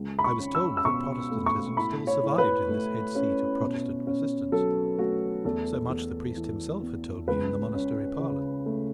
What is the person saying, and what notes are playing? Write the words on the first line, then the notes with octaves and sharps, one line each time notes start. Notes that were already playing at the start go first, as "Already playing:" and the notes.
I was told that Protestantism still survived in this head seat of Protestant resistance; so much the priest himself had told me in the monastery parlour.
Already playing: C#2
B5
C#6
C#4
E6
E6
B2 C#6
A3
C#6
A2 B5
C#5
A2
B4
A3
C#4
B2
C#4
F#3 A4
A3 F#4
E2 A4
E2
E3
B3
C#2 B4
C#4
C#3
A3